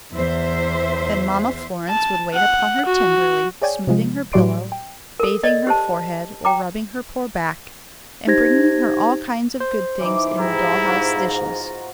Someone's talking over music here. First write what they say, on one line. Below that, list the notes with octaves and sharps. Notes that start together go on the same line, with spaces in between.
Then Mamma Florence would wait upon her tenderly, smoothing her pillow, bathing her forehead or rubbing her poor back, and bringing her all kinds of good things in the doll-house dishes.
E2 C5 E5
A5
F#5
F#4
G#4 C#5 D5 G5 G#5
C3 F3 G#3
A2 F#3 G4 D5 C6 D7
G5
A4 A#4
D5 D#5
G4 C5 A5
G5 A#5 D6
D#4 G4 C5 G#6 A#6
C5
E3 D#4 D6
G#2 E4 G4 A#5
F4 F#4